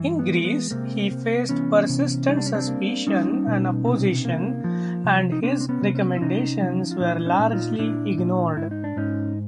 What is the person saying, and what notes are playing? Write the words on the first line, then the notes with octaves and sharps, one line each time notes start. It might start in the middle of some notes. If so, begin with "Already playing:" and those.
In Greece, he faced persistent suspicion and opposition and his recommendations were largely ignored.
Already playing: G2 E3
B3
G#3
B3
C3 A#3 C4
C3
E3 B3 C#4
C3
G3 D#4
D4
C#4
C4 D4
A#3
G3 C#4 D#4
B2
C3
A#3
F3
C3
D#4
C3 C4 D4
C4
B3 C#4
C3
B3 C#4
E4
C3 C#4 D#4
F3
F4
A#2 D4 E4
C#4 D#4
A#2
D#4 F4
A#2 D4 E4
A#2
G#2 E4
D#4
D4
G#2 C#4 D#4